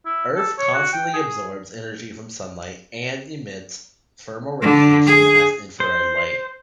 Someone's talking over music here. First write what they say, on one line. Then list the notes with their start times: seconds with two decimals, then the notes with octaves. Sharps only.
Earth constantly absorbs energy from sunlight and emits thermal radiation as infrared light.
0.06 E4
0.35 A4
0.59 C#5
0.74 F#4
0.93 G5
1.14 G#4
4.62 D3
5.07 G#4
5.80 C5